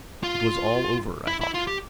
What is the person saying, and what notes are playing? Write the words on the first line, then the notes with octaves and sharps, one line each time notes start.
It was all over, I thought.
F4
E4
E4
F4
G4